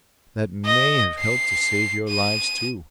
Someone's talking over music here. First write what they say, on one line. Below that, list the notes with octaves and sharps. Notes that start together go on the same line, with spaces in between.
That may have helped to save your lives too.
D#5
C7
D#7